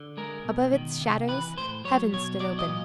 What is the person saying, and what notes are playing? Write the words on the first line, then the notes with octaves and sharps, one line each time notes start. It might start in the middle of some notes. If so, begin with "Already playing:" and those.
Above its shadows heaven stood open.
Already playing: D3
G#3 A#4
B2
D#3
C3
E3 B4
A2 C5
F#3 C#5
B2 C#5
F#3 D5
D#5
A#2